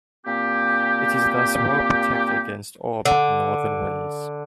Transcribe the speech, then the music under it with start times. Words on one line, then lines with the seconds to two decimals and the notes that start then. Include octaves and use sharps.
It is thus well protected against all but northern winds.
0.25 A#2 A#3 C4 G4
3.05 D3